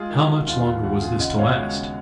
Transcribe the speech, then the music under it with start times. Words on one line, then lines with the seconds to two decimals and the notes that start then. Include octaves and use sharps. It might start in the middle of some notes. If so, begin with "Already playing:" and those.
How much longer was this to last!
Already playing: G#3 F4 G#4
0.10 D#3
0.19 F#4
0.29 D#3
0.47 D#2 F4
0.65 D#2 F4
0.83 D#2 F#4
1.01 C#3 F4 G#4
1.19 C#3 D#5 F#5
1.38 B3 C#5 F5
1.56 G#3 F#4
1.74 C#3